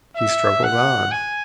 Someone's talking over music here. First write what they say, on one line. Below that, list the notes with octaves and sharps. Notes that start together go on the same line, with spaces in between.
He struggled on.
E5
F#5
G#5